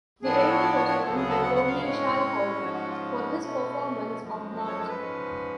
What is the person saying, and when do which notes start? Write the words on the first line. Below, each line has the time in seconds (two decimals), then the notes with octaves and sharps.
The Emmy was won by Tony Shalhoub for his performance on "Monk".
0.22 A2 F3 B3 D4 G#4
0.36 A4
0.49 C#5
0.62 D5
0.75 C#5
0.89 C#5
1.01 D2 C#3 F#3 B3 A4
1.15 G#4
1.28 A4
1.41 F#5
1.55 F#5
1.67 F5
1.81 A2 G#3 C#4 C#5
2.60 G#2 F3 G#3 C#4 F#4
2.74 F#4
2.87 F4
3.40 B2 A3 C#4
4.19 F#2 F3 G#3
4.59 A4
4.68 C#5
4.78 A4
4.89 B4
4.98 G#2 F3 G#3 C#4